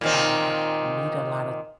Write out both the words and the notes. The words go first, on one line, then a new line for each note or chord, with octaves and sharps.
uh, meet a lot of
A#2 D#3 C4